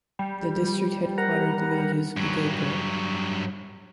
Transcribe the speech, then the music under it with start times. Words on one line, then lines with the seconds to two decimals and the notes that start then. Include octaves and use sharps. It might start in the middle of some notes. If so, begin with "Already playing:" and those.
The District headquarter of the village is Udaipur.
0.19 G3
1.18 A#4 F#5 A#5
2.17 G2 F#3